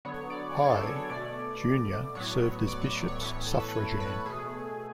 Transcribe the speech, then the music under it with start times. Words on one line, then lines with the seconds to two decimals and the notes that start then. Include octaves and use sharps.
High, Junior served as bishops suffragan.
0.05 D3 F#3 B3 C#5
0.30 D5
0.57 C#5
0.64 G#4
0.70 A4
0.83 C#5
0.96 C#5
1.10 B2 A3 D5
2.15 A2 F#3 B3 C#5
2.68 D5
2.82 C#5
2.94 D5
3.08 C#5
3.20 A2 E3 B3 C#5
3.33 C#5
3.47 A4
3.60 B4
3.73 C#5
4.00 B4
4.26 B2 A3 G#4